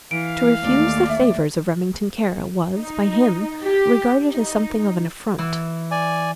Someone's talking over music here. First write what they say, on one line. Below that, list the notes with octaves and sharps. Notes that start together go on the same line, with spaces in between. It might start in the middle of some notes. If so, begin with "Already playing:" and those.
To refuse the favours of Remington Kara was, by him, regarded as something of an affront.
E3 F5 D7
D#2 A3 D5
E5
D#4
G4
D#4
E3
D5 G#5